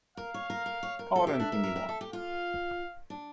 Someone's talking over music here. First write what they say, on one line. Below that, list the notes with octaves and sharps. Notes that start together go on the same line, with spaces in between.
Call it anything you want.
A#4 F5
C#5
A#4
A#4
C#5
A#4
A4 E5
G4
D4
A#4
A#4
A#4
A4
G4
F4 F5
D4